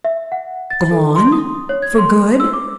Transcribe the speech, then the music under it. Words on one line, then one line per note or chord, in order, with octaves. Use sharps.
"Gone--for good?"
E5
F#5
A6
A4
C6
D#6
C#5
G#6
C6
E6
D6